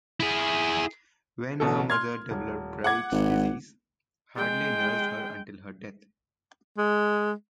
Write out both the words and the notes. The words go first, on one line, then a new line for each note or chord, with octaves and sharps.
When her mother developed Bright's Disease, Hadley nursed her until her death.
E4 G#4
A1 B2 A4
C6 F6 G#6
D#1
F#5 D6 G#6
G#1
G#3 G5
G#3